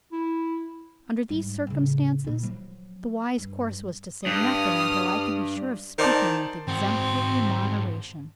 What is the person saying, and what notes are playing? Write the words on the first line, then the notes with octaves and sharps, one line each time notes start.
Under these circumstances, the wise course was to say nothing, until I could be sure of speaking with exemplary moderation.
E4
G#2 G3
A1 C#3
A#2 E4
F3 F#3
G2
G2 D#6 F6
D#3 C5 D5 A5
G#2 C4 F#4